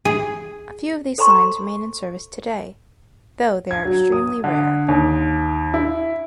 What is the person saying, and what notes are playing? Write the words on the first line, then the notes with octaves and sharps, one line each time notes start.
A few of these signs remain in service today, though they are extremely rare.
G#4
A4 C5 G#5 A#5 C6 C#6
G#6
F#3
D#6
D3
D#2
E4